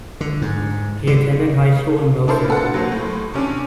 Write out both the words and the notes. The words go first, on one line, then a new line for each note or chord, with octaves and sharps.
He attended high school in Milford.
D3
G#2
D3
D4 E4 A4 A#4 C5
B3 A4 F#5
F#3 A#3 C5
A2
C3 C#4 D4